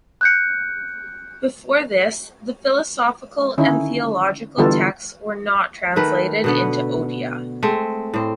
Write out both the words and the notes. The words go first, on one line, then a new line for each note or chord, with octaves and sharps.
Before this the philosophical and theological texts were not translated into Odia.
F#6 G6 C#7
D3 D#3 C#4 D#4 E4
D3 E3 G3 B3 F4 A4
D#3 A3 B4
B2 D3 B3
G#3 A3 C4
A2 C4